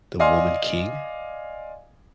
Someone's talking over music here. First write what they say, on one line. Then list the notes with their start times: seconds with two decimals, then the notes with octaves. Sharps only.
The Woman King?
0.19 D5 D#5 F5 G#5 C6